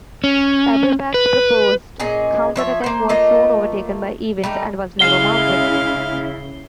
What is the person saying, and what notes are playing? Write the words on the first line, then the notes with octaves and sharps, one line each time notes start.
Eberbach's proposed counter-attack was soon overtaken by events, and was never mounted.
C#4
B4
A#2 C#4 G#4 D#5
F3 C#5 E5
A#3 C5
A3 A#3 F4 D#5
G3 A3 D#4
C#3 G#3 E4 F5 C7 G7